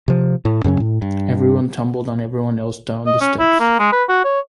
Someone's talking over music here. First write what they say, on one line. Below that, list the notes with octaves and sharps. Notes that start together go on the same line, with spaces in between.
Everyone tumbled on everyone else down the steps.
C3 F3
A2
F#2 C#3 F#3 C#4
A2
G2
D#5
C#4
E4
A#3
G#3
B4
F#4
C#5